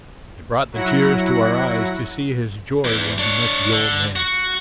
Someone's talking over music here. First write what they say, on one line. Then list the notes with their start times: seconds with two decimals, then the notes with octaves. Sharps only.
It brought the tears to our eyes to see his joy when he met the old man.
0.73 F#3 E4 F#5 A#6
2.85 E2 E3
3.19 D4 C#5
3.72 D3
4.16 F#4